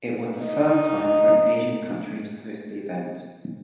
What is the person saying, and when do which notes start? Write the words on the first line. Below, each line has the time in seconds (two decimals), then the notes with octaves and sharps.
It was the first time for an Asian country to host the event.
0.44 D#4